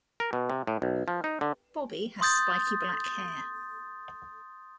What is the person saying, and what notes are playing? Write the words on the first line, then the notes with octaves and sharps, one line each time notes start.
Bobby has spiky black hair.
A#4
B2
C3
A2
B1
F3
D#4
D3
C6 D#6 G6 A6